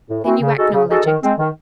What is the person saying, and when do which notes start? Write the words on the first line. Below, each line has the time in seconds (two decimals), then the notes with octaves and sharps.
"Then you acknowledge it?"
0.09 A2
0.24 E3 C4 F#4
0.41 C#3
0.57 G#3 D#4 F#4 A4
0.73 C#3
0.89 G#3 D#4 F#4 A4
1.06 D#3
1.22 G#3 C4
1.38 D#3